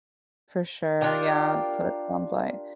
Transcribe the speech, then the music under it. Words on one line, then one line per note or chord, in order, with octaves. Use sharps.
For sure, yeah, so, that sounds, like
D4 F4 G4 A#4